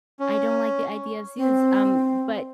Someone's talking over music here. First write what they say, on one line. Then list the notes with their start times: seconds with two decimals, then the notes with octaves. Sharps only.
I don't like the idea zoos, um, but
0.20 C#4
1.38 C4